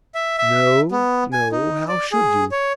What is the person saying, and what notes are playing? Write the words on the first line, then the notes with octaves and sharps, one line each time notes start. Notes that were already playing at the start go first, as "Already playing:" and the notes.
No, no; how should you?
E5
E5
B3
G#5
D#4
D5
G#4
C#5